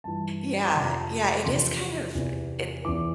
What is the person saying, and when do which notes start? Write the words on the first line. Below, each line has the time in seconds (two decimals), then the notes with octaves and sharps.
Yeah, yeah, it is kind of it
0.04 G2 E3 A5
0.64 D6
0.75 F2 C3 F3 C6
0.86 A#5
0.98 A5
1.21 A#5
1.44 E2 C3 F3 C6
2.15 E2 C3 E3
2.85 E2 E3 D6